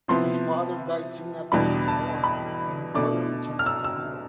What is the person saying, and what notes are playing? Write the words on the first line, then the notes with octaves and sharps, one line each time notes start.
His father died soon after he was born and his mother returned to Colombo.
C3 F3 B3 E4 C6
E2 B2 G3 B3 D4 B5
A5
B5
B2 A3 D4 D6
F6
E6
E6